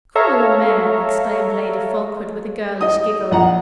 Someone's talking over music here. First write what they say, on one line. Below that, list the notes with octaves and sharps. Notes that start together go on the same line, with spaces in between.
"Cruel man!" exclaimed Lady Fulkeward with a girlish giggle.
A4 C#5 E5 F5 A#5
D#5 D#6
A#1 F#5 A#5